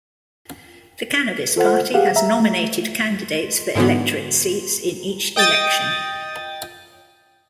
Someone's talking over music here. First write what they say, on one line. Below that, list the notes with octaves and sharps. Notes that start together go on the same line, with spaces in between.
The Cannabis Party has nominated candidates for electorate seats in each election.
F4 A4 C5 F#5
G4 G#4 F5 F#5
E5 A#5
A3
G#2 D3 E3 B3
D#5 G5 D#6 A6